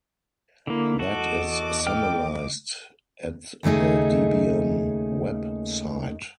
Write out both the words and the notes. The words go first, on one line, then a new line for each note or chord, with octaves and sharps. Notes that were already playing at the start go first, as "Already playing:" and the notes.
That is summarized at the Debian web site.
D3 A#3 E4
E2 F#4 A4 D#5 D6
A4 G5 F6
D#2 C#3 A3 D#4 G#4